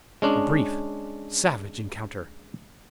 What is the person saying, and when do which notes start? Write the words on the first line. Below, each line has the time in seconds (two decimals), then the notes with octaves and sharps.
A brief, savage encounter.
0.22 G#3 C#4 D4